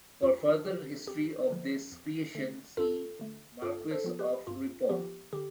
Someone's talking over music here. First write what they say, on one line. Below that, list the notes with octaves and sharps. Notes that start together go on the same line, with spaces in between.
For further history of this creation, see Marquess of Ripon.
F2 F4
D3 F3 G4
F2 G4
D3 F3
F2
D3 A3
F2 F4 A4
D3 A3
G2 F4 A4
A4 C5
F3 B3 F4
G4 B4
G2 F4
F3 B3 F4 G4
D3 G4